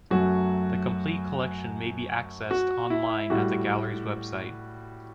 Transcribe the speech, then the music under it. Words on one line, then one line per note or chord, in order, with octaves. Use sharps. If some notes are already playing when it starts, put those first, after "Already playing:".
The complete collection may be accessed online at the Gallery's website.
F#2 F#3 A3 F#4
F#4
E4
A2 G3 F#4